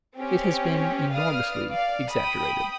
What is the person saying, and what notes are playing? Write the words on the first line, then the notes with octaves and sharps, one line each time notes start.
It has been enormously exaggerated.
C4 C#4 G4
B4 D5 F5 D#6 F6
D5 F5
G5 B5 D#6